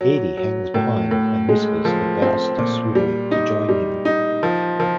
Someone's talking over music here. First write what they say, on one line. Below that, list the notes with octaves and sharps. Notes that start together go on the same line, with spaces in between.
Edie hangs behind and whispers for Douster-swivel to join him.
F#3
F#3
A2
A2
G#3
F3
C4
A#2
G3
D#4
G3
D#4
F3
F3